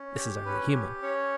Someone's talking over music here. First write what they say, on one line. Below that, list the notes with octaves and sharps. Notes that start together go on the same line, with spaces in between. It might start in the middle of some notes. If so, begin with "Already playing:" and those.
This is only human.
Already playing: C#4
G4
C#4 B4
G4
C#4 C#5